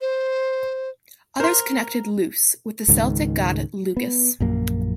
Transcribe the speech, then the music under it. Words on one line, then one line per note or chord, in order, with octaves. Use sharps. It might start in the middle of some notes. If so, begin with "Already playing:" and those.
Others connected "Lus-" with the Celtic god Lugus.
C5
A#4 C5 C6
C#2 G#2 D#3
B3
A#1 F#2 A#3